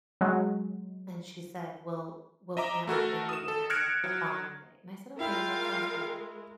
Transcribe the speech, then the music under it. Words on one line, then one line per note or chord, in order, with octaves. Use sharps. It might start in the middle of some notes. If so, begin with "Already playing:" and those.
and she said, "We'll we'll plan our family dinner the the following day," and I said, "Okay, that sounds good."
F#3 G#3
D#5 E5 A#5 D6
A3 F#4 A4 A#4
D#6 E7
A4
F6 F#6 G#6 A#6 C#7 D7
F#3
G#3 E4 F4 A#4 F5 G5